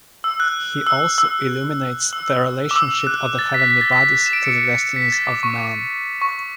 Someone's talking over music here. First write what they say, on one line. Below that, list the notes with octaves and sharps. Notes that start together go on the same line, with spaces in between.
He also illuminates the relationship of the heavenly bodies to the destinies of men.
E6
F#6
E6
E6
E6
D6
E6
F#6
A6
B6
B6
A6
B6
E7
D7
C#7
C#7
B6
B6
A6
D6
C#6
D6
C#6